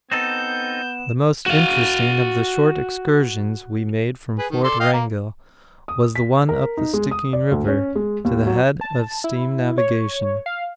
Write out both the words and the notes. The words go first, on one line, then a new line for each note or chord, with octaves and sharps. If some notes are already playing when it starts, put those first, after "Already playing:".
The most interesting of the short excursions we made from Fort Wrangell was the one up the Stickeen River to the head of steam navigation.
B3 C4 D#4 A4 G6 E7
F#4 F5
G#4 B4
D#3
A4 D5 C6
D#5 F5 G5
A#3 A#4
D#6
B6
A#4
D#4
G#3
D#6
D5
D2
C#4
G#3
D#2
F#3
A5
E4
C#5
F5